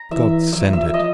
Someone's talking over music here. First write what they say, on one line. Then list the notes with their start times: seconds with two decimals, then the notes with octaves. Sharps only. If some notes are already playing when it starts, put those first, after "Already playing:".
God send it!
Already playing: A#5
0.11 E3 E5
0.53 F3 E5
0.73 E5
0.94 D#5